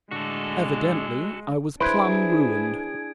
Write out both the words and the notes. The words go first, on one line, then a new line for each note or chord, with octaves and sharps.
Evidently I was plumb ruined.
A2 D3 G#3 D4 F#4 A4
D4 E4 G#4 B4 C5 G#6 D7